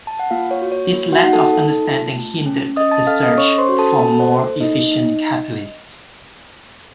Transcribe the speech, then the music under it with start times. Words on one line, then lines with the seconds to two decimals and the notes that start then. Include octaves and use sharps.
This lack of understanding hindered the search for more efficient catalysts.
0.07 A5
0.19 F#5
0.31 A#3 F4 F5
0.51 C#5
0.62 F#4
0.72 C#5
0.92 A#3
1.12 F#4 F#5
1.23 D#4 F#5
1.33 A4 A5
1.53 A4
1.85 F4
2.16 A3
2.46 C#4
2.76 C#4 D#5 D#6
2.91 A5 A6
3.07 A4 F5 F6
3.23 D#5 D#6
3.38 C#4 C#5 C#6
3.58 C5 C6
3.69 F#4
3.79 A4 A5
3.99 A#3 A4 A5
4.20 C5
4.30 A4
4.61 A#3 D#4 D#5
4.92 D#4